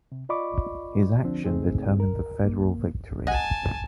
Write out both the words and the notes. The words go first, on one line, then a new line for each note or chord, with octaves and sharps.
His action determined the federal victory.
C3
F4 D5 D#5 B5 C#6 D6
D3 F3 C4 D4
G#2 C#3 A3 C4 D#4 G#4
A#4
A#3
D#5 F#5 G#5 A5